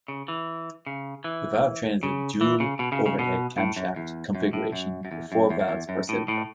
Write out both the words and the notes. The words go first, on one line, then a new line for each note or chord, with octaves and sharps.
The valve train is a dual overhead camshaft configuration with four valves per cylinder.
C#3
E3
C#3
E3
C#3
E3
C#3
B2
C#3
C#3
B2
A2
F#2
E2
F#2
A2
F#2
F#2
E2
F#2
E2
F#2
E2
F#2
A2
A2